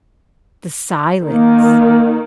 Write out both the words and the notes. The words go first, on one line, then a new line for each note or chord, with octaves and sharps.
the silence.
D#3 A#3